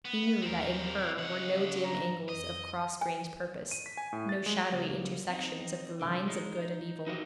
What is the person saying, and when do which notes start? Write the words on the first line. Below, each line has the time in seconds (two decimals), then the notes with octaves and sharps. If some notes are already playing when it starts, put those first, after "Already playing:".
He knew that in her were no dim angles of cross-grained purpose, no shadowy intersections of the lines of good and evil.
0.05 B3
0.42 D#2 C4 A#4
1.18 C#3 C#5 D#5 F#5
1.83 G#2 D4 A#5
2.29 F2 D#5
3.01 G#5
3.71 D#7
3.86 B6
3.97 G#5
4.13 A2
4.29 A6
4.46 G#3
4.72 C#2 C#3 G3 A#3
5.29 C4 D#4
6.01 C2 G#2 D3
6.28 G#3 D#4
6.61 D#4
7.07 D#4 E4 F#4 G4 A#4 D#5